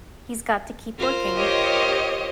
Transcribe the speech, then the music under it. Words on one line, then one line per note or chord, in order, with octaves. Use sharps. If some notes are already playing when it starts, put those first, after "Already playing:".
He's got to keep working.
F4 A#4 C5
G4 C#5 D#5